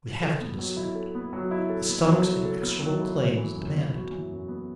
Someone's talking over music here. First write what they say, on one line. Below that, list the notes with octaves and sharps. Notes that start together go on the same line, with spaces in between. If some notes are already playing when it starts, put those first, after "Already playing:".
We have to descend; the stomach's inexorable claims demand it.
A4
B3
F#3
E4
A4
B3
F#3
E4
A4
B3
F#3
E4
A4
B3
F#3
E4
F#4
E3
F#2
B3
F#4
E3
F#2
B3